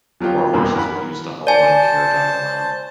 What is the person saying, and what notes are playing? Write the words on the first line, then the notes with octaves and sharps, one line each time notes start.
Four horses were used to haul one carriage on the line.
F3 F#3 C4 F4 G4
E2 G2 E3 A#3
A#4 F#5 B5
C5 D5 G#5 A5